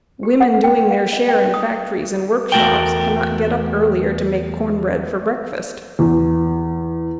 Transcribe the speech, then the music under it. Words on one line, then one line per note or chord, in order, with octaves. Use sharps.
Women doing their share in factories and workshops cannot get up earlier to make corn bread for breakfast.
G4
F#5
G5
F5
D#5
G5
D#6
E2 A3 F#4 A4 A#4 G5
E2